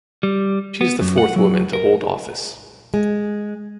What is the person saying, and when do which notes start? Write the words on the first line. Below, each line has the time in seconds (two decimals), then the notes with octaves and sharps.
She is the fourth woman to hold the office.
0.23 G3
0.81 B3
1.01 F#2
1.18 F#5
1.36 F#3
1.73 A#4
2.94 G#3